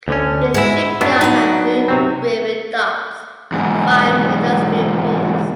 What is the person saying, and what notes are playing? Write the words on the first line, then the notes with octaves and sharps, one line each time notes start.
The shipyard had three graving docks, and five industrial piers.
D2 D3 C#4
G#2 G#3 E4 F#4
F#2 F#3 B3 D4
D#4 F#5
C3 F#3 C4
E2 G#2